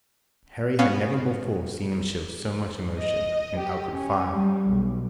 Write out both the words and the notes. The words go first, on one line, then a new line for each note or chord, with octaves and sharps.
Harry had never before seen him show so much emotion and outward fire.
B3 C#4 F5
D#5
G4
C#4
G3
B1